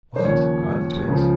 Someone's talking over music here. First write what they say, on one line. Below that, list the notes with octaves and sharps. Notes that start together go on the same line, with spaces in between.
"What?" cried the Twins.
C5
D#2 C#3 F3 C#5
C#2 C#3 F3